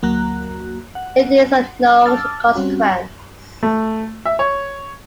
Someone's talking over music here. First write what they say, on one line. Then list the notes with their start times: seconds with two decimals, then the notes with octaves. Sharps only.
It is of no consequence.
0.02 D2 F#3 A#3 F#4 A#5 F#6
0.95 F#5
2.06 A5 D6 E6 F6 A6
2.55 G3 C4 C#4 F#4
3.63 A3
4.25 E5
4.39 C#5